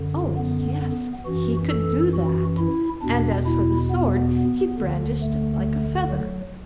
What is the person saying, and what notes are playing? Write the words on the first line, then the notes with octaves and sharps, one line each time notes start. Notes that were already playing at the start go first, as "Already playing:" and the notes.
Oh yes! he could do that, and as for the sword, he brandished it like a feather.
Already playing: F#2 D3
B3
B3
F#2 E3 F#4
A4
F#4
E4
E2 B2 D4
E4
B3
D2 D3
A3
F#3